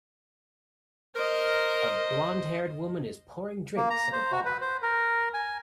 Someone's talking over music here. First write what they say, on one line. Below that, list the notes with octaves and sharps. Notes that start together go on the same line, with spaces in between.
A blondhaired woman is pouring drinks at a bar.
A#4 C5 D#5
A#3
A#5
C5
F#4
B4
C5
A#4
G#5